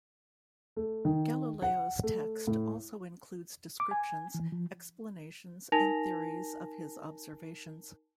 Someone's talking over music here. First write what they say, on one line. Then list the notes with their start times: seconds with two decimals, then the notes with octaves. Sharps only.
Galileo's text also includes descriptions, explanations, and theories of his observations.
0.77 A3
1.05 D#3
1.62 F#5
2.03 A3
2.47 A2
3.80 D6
3.91 G#5
4.34 E3
4.52 F3
5.72 D#4 A#4 G#5 A5 A#6 F7